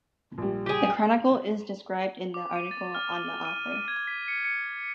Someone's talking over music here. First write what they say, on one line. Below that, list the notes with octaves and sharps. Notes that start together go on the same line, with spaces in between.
The chronicle is described in the article on the author.
A#1 G3
G4 G#4
D6
D#7
A6
F6
G7
D#7
D#7
G#6
B6
C#7
C#7